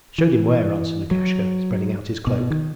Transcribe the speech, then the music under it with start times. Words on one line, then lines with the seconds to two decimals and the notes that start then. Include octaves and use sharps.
'Showed him where,' answered Lukashka, spreading out his cloak.
0.18 E3
1.11 F#3
2.27 B2
2.50 D#3